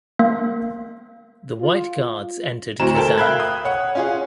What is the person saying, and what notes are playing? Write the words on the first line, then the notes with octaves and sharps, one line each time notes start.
The White Guards entered Kazan.
A#3
F4
D2 A2 C4 A#5 E7
A4 A#4 G5 A5
E5 F5 G5 B5 F#6 G#6
D#6
C#5 F#5
C#4 F4 G#4